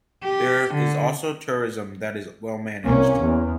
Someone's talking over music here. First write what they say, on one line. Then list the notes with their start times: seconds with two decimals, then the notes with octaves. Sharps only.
There is also tourism that is well managed.
0.24 G4
0.74 D3
2.84 C2 A#3 C#4
3.18 E2